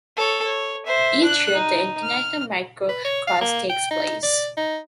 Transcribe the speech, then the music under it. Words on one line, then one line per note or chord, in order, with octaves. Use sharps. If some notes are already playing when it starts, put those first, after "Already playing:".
Each year, the international motocross takes place.
A4 C#5
C#5
C5 E5
D4 F#6
D#4
F6
B4
C#5
F5
A#3
G5
D#4
D5
D#4